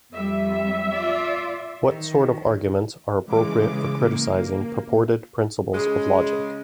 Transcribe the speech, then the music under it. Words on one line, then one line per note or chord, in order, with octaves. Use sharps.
What sort of arguments are appropriate for criticising purported principles of logic?
F2 G3 E5
F4 D5
D#3
C#3 E3 G#3 D6
A#3
C#3 G#3